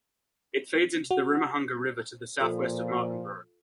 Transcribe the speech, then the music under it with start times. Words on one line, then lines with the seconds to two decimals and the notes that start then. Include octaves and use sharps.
It feeds into the Ruamahanga River to the southwest of Martinborough.
1.11 F#4
2.40 A#2 F3 F4 A4 F5